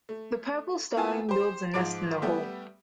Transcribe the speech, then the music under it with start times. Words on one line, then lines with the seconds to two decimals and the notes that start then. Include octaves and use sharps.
The purple starling builds a nest in a hole.
0.09 A3
0.96 A#3 B3 E4 F4 G#5 A5
1.29 G4 C5
1.74 G#2 F3 F4 D6 D7
2.22 G3 A3 B3 G4 E5